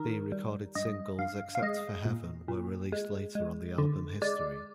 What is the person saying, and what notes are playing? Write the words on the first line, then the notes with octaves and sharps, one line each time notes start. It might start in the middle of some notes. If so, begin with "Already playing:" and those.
The recorded singles, except for "Heaven", were released later on the album "History".
Already playing: D#3 A#4
G3
G2 D#5
G2 F5
F5
G#3 D#5
A#2
A#2
G#3
G#3
D3
G#3 D5